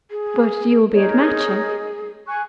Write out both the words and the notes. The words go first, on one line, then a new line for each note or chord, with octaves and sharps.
"But you'll be at Matching?"
G#4
D#4 G#4 A#4 C#5
G#5 C#6 F#6